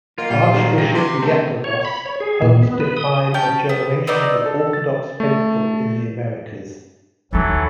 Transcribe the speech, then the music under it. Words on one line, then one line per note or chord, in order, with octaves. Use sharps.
Archbishop Iakovos helped define a generation of Orthodox faithful in the Americas.
A#3 F4 A#4 D#5 F#5
A#2 G3
G#2 D#3 F#3 G3
G2 A#6
C3 C6 D6 B6
A3 B3 C#4
C#5
B5
C#5
G#4
A#2
B3
B4
D#6
C#4 G5 A5
B3
B3 C4 D#4 D5
A4
A6
A3
D#2 E3 F#3 D#4 A4